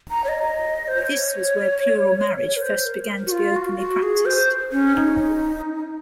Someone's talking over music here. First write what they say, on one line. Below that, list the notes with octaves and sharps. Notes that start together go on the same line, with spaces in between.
This was where plural marriage first began to be openly practiced.
A#5
C#5
D#5
C5
C#5
C#5
A#4
C5
A#4
F#4
F4
F#4
F#4
G#4
C5
C#4
D#4